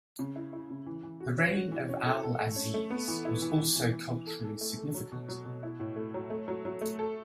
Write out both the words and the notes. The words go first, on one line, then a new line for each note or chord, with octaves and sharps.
The reign of Al-Aziz was also culturally significant.
C#3
E4
E4
C#3
E3
E3
F#4
C#4
F#4
E3
C#4
A4
A4
A3
C#4
A3
B3
E3
E4
E3
E3
E3
E3
E3
A4
A4
A3
A4
F#3
B2
F#3
B2
E4
A2
A3
F#3
A3
F#3
F#3
A3
A4